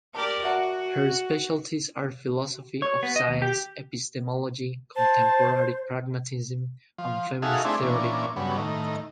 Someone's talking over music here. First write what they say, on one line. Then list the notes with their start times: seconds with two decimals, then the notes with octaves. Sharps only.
Her specialties are philosophy of science, epistemology, contemporary pragmatism, and feminist theory.
0.15 G4 A#4 D5 A5
0.44 F#4 E5 F#5 A5
2.82 C#5
3.03 B3
3.16 D#5
3.28 D#2
3.42 G4
4.96 C5 A5
6.98 F3
7.42 D#4 F#4 G#4 A4 E5 F5
7.65 A3 C4 D4 E4 G#4
7.82 A#2 E3 C#4 D4
8.36 G2 C#3 F#3 B3
8.57 A2 D#3